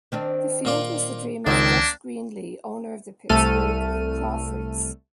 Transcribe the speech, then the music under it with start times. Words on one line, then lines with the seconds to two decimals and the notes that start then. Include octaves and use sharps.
The field was the dream of Gus Greenlee, owner of the Pittsburgh Crawfords.
0.12 D#3 C4 D4
0.65 A#2 F4 D5
1.47 C#2 D#3 F#3 A#3 C4 D4 C5
3.29 C2 A3 A4 F6 D#7